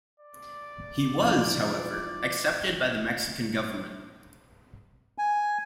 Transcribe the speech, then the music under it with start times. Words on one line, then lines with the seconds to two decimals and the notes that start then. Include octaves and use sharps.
He was, however, accepted by the Mexican government.
0.20 D5
1.20 F2 E3
5.18 G#5